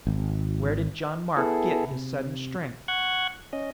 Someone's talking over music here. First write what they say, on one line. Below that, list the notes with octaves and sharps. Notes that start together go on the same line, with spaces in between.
Where did John Mark get his sudden strength?
G#1
B3 E4 G#4 A4
C3
F#5 C#6 F#6 G#6
C#4 D#5